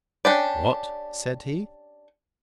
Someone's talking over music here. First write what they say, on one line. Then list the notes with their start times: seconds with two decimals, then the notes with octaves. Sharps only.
"What?" said he.
0.25 C#4 D4 G4 D5